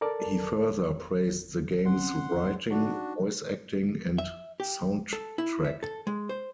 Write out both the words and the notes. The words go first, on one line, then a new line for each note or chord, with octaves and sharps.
He further praised the game's writing, voice acting and soundtrack.
A4 A#4 D5 A5
C4 C#4 F#5 C6
D4 D#4 F#4 A5
E5
G4
A4
E4
E5
A4
G#3
C5